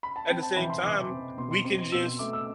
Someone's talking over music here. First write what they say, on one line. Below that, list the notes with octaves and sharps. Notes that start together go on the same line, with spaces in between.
at the same time, we can just,
B5
A5
C4 G5
A5
E3 B5
C6
E3 D6
C4
B2 C6
C6
C4 C6
C6
B2 E6
A3 D6
E6